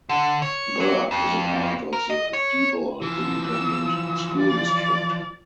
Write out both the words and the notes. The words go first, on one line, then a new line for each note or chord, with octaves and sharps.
Burke is a part of the Diboll Independent School District.
D3
C#5
F#3
F2
A#4
D#5
C#5
E3 F3 E6
D5